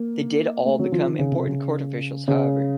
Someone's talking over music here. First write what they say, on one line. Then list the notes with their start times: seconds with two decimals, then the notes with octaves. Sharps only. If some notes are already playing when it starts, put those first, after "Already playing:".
They did all become important court officials, however.
Already playing: A#3
0.65 A3
0.79 F#3
0.92 F3
1.05 D#3
1.19 C#3
1.32 C3
1.46 C#3
2.28 C#3